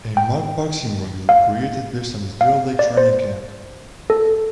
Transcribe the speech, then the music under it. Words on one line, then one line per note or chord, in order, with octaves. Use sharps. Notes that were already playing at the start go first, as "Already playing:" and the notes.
A mock boxing ring is recreated based on his Deer Lake Training Camp.
G5
F5
F5
D5
C5
A4